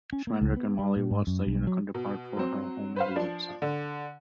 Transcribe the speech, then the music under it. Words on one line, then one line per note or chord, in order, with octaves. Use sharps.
Schmendrick and Molly watch the Unicorn depart for her home in the woods.
C#4
A#3
C#2
B3
G3
A#2
G#2
F#2
B1
F#3
B2
F#3 C4
B4 C5 F5
F3 D4
D3